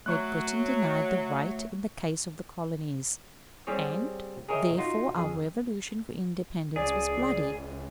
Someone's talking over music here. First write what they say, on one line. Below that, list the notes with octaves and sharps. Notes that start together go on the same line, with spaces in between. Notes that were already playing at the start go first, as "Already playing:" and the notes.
Great Britain denied the right in the case of the colonies, and therefore our revolution for independence was bloody.
F#3 A3 C#6 F#6
G3 C4 G4 G#4 C#5
G#4 A#4 C#5 D#5 E5 G5
D#4 F4 F#4
F2 G#4
C#2 G#4 D5